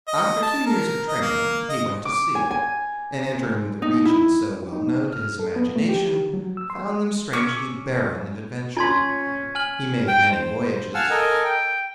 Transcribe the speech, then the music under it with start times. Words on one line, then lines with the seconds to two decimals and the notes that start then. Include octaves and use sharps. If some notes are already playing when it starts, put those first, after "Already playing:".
After two years of training he went to sea, and entering the regions so well known to his imagination, found them strangely barren of adventure. He made many voyages.
0.08 D#5
0.43 A5
0.66 A#4
1.09 D#5
1.21 A#3
1.69 D#5
2.05 D6
2.35 G#5
2.51 G#5
3.82 D#4
4.05 E4
4.73 D#4
5.13 F6
5.39 A4
5.56 B3
5.76 A3
5.89 G4
6.34 F#3
6.57 E6
6.70 C6
7.33 C#4 C#6 D6 E6
8.77 C#4 F4 G#5 C6 G#6 B6
9.55 G#5 F6 F#7
10.07 G5
10.31 C5
10.94 F5 F#5 G#5 A5 E6 F6
11.10 A4 A#4 D#5 G#5
11.44 G5